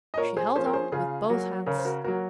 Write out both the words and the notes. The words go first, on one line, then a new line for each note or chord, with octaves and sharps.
She held on with both hands.
D#5
A#2 A#4 C#5
G#4 C5
F3 A#3 C#4 G#4 C5
A#4
G#4 C5
C#3 F4 G#4
F#3 A#3
C#3 A#4 C#5
C5
F#4 A#4
F#3 A#3 F#4 A#4